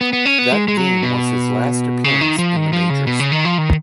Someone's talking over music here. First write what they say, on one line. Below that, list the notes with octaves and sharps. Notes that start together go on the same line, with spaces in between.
That game was his last appearance in the majors.
B3
B3
C#4
B3
G#3
G#3
F#3
B2
C#3
D#3
F3
D#3
F3
C#3
B2
C#3
D#3
F3
D#3